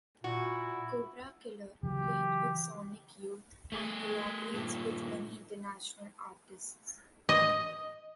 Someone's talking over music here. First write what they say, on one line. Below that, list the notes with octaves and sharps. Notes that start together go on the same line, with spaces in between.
Cobra Killer played with Sonic Youth and collaborates with many international artists.
A#2 E4 F#4
C#3 E3 F#3 G4
A3 G#4
G2 A#2
D#5